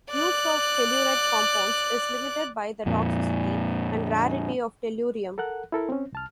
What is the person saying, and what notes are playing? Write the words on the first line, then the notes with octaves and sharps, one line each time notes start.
Use of telluride compounds is limited by the toxicity and rarity of tellurium.
D5 F#6
F2 A#2
A4 A#4 F#5 F#6
E4 A4 A#4
C4 C#4
C2 A5 F6